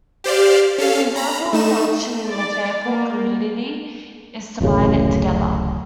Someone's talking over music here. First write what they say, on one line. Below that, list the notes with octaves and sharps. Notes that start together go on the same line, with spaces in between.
His overall function in the Fairport community is to bind it together.
G4 C5 D5 F5
C#4 A4 F5
A#5 B5
A3 D#4 E7
D5
A#3
D1 A1 F#2 C#3